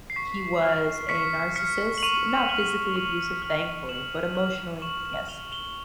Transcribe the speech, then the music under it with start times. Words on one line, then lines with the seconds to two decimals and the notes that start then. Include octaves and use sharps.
he was a narcissist. Not physically abusive, thankfully, but emotionally, yes.
0.10 C7
0.16 C#6 B6
0.62 F6
1.09 C#6 B6 C#7
1.56 F6 B6 C#7
1.98 F#7
2.03 C#6 D#7 F7
2.49 F6
2.96 C#6
3.42 F6
3.89 C#6 E7 F#7
4.35 F6
4.82 C#6 E7 F#7
5.05 E7 F#7
5.28 F6 F7 G7
5.52 F7 G7